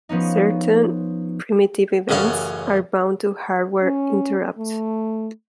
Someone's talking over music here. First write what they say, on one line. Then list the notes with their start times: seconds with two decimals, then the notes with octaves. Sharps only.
Certain primitive events are bound to hardware interrupts.
0.09 F3 B3 C#4 D#4
2.09 A1 F#2 C#3 A4 F5
3.83 C#4
4.58 A3